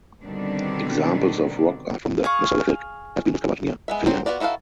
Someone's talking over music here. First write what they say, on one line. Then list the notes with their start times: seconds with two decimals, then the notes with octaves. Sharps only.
Examples of rock art from the Mesolithic have been discovered near Filiano.
0.23 B2 D3 D#3 G3 C4 D4
2.24 G#4 F5 C#6
3.88 G#3 B3 E5
4.06 F#3 C4 C5
4.26 B3 F4 F#4 D5
4.40 D#4 E4 F#4 A4 F5